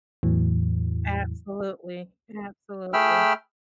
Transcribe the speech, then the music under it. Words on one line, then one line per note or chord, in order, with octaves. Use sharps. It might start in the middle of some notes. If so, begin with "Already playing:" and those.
Absolutely, absolutely.
E2 A2 E3 F#3
A3 G#4 G5 B5 E6 F6